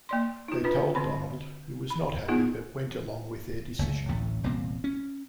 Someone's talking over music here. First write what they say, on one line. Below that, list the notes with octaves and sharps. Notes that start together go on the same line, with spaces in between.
They told Donald, who was not happy, but went along with their decision.
A#3 D5 C6
D#4 F4
D4 F4 B4
D3 C4 B5
B5
B3 D#4 F4 G#4 F#5
F#1 C#2 A3
A1 D2 A2 A3
E1 C2 A#2 C4
C#4